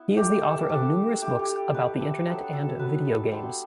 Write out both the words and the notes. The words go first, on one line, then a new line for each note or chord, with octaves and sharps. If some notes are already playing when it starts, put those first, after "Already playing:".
He is the author of numerous books about the Internet and video games.
Already playing: B3 E4
A3 D4 G4
A4
G4
A3 D4 A4
A3 E4 G4
G4
A3 E4 B4
A4
F#3 B3 D4 A4
A4
F#3 B3 D4 B4
B4
G3 B3 D4 C5